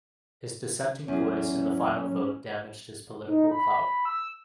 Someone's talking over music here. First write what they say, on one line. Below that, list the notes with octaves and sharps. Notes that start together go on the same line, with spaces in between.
His dissenting voice in the final vote damaged his political clout.
E2 F#3 C#4 G#4
D#4
B5
E6